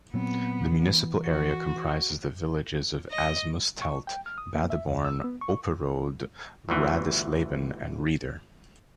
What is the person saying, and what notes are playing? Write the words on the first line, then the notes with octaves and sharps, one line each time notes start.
The municipal area comprises the villages of Asmusstedt, Badeborn, Opperode, Radisleben, and Rieder.
A#2 F#3 B3 C4
E3
F#4
D#5
C#6
G5
F6
D#6
A#3
E5
E2
E6
B3
C#6
G1 D2 E3